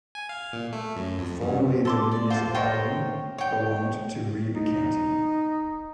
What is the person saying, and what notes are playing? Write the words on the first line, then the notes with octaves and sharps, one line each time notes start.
Formerly the municipality belonged to Ribe County.
G#5
F5
A#2
A3
F#2
F2
G2
A4 C6 D6
D5
F4 A4 C5 C6
A#4 C5 C#5 G5
C#5 G5
D#4